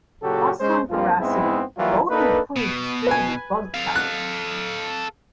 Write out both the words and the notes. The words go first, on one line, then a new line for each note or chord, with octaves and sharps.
Fossil and Veracity both include distributed bug trackers.
A#2 C#3 F#3 F#4 G4 A4
G#3 C#4 C5
G2 F3 A#3 C4 F4
G#2 G#3 B3 C4 E4
E3 F#3 G3 A#3 E4 F4
A#3 D4 D#4 A4 B4
B2
B4 G#5
A4 F5
F#6